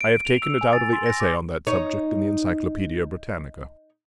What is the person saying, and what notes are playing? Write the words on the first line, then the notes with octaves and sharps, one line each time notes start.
I have taken it out of the essay on that subject in the "Encyclopaedia Britannica."
D7
F7
E6
G#5
A6
C6
A#6
D6
D#4 C#5